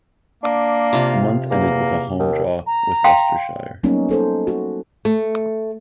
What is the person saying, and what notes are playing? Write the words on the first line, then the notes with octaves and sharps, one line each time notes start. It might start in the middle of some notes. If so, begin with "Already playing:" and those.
The month ended with a home draw with Leicestershire.
A#3 D4
C3 F4 F5
E2 A#3
D#2
A#5
F5 G5 C6
F#3 G3 A#3 B3 C#4 D#4
D#4 A4 C5
F#4
A3